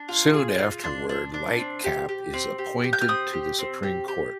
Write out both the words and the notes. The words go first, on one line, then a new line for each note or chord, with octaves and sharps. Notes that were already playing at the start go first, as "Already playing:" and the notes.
Soon afterward, Lightcap is appointed to the Supreme Court.
Already playing: D4
F4
G#4
F4
D4 C6
D4
D4
C4
G4
G4
C4
G4
G4
G6
F6
C4 D#6
G4
C4
G4
G4